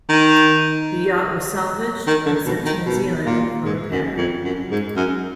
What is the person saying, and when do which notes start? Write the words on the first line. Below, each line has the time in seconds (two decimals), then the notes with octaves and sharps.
The yacht was salvaged, and sent to New Zealand for repair.
0.09 D#3
2.07 D#3
2.26 D3
2.46 B2
2.66 D#3
2.86 B2
3.26 A#2
3.65 G#2
3.91 F#2
4.17 F2
4.44 F#2
4.71 G#2
4.96 F#2